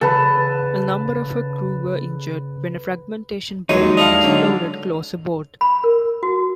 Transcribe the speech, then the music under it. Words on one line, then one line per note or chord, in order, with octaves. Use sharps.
A number of her crew were injured when a fragmentation bomb exploded close aboard.
C#3 A4 B4 A5
A#1 D#2 F#3 G#3 D#4 C#5
D4 E4 A4 D#5 F5 F7
D3 F#3
B5
A#4
F#4